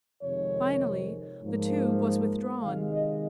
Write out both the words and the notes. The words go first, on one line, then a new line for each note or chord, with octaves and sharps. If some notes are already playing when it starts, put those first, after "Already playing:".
Finally the tube was withdrawn.
F2 C3 D#3 G#3 C#5
G#2 F3 A#3
C3 D#3 G#3 F5
D#5